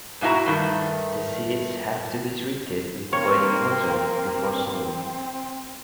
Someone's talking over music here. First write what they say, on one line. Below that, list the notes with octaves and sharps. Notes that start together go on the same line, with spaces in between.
The seeds have to be treated with boiling water before sowing.
G#2 B2 E4 F#4 A#5
G2 D#3 A3
A#3 C4 C#5